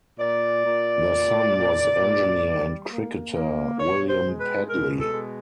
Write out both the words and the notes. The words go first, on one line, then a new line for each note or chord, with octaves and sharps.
Their son was engineer and cricketer William Pedley.
A#2 D5
A#2
A#2
A#2
A#2
G3
A#3
A#3
B2 C#5
C5
G#3
B4
B2 A#4
A4
G#3